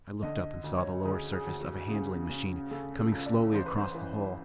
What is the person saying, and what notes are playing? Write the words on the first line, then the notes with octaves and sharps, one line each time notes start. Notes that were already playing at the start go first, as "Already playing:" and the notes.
I looked up and saw the lower surface of a handling-machine coming slowly across the hole.
D3 D#5
D2
C#5
D2 G#4
G#4
D2
F#4
C#3 G#4
C#3
C#3 A4
A4
C#2
D5
A1 C5
B4
C5
E3